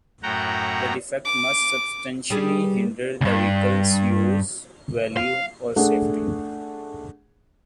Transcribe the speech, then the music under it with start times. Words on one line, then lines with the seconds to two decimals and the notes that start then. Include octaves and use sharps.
The defect must substantially hinder the vehicle's use, value, or safety.
0.23 F#2 A2 F#4 F#5 G5 A#5
1.25 D6
2.30 G3 D4 G#4
3.21 C#2 G2
5.17 F5
5.76 A3 D4 G#4 F#5